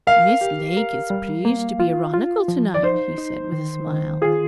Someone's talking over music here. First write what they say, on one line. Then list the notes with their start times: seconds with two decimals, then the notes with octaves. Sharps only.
'Miss Lake is pleased to be ironical to-night,' he said, with a smile.
0.07 A#4 F5
0.41 G4
0.77 A#4
1.10 G3
1.45 A#3
1.80 F4
2.14 F4
2.48 F3
2.74 D5
2.83 D#4 C5
3.18 D#4
3.52 D#3
3.87 D#3
4.22 F4 G#4